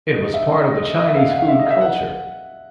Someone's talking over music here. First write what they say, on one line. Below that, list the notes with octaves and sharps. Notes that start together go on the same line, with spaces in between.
It was part of the Chinese food culture.
D#5
E5
D#5
D#5
D#5
D#5
E5
F5
F#5
F5
E5
D#5
F5
E5
F#5